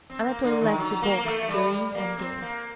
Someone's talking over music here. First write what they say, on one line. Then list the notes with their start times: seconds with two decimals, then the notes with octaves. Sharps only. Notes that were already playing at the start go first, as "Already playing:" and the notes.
Anatole left the box, serene and gay.
0.10 C4
0.27 A#3
0.44 D3
0.61 D#3
0.78 F#3
1.02 A#3
1.18 A#3
1.25 A3
1.43 A3
1.48 G3
1.71 G3
1.95 A#3
2.18 C4
2.42 A#3